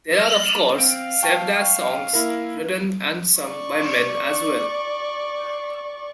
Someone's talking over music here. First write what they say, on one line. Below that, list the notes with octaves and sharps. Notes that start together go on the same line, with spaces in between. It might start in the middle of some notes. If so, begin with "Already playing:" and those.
There are of course, Sevdah songs written and sung by men as well.
F6 A6 A#6
C4 F5 D7
G5 A5 C#6
A#3 E4 A#4
D5 C#6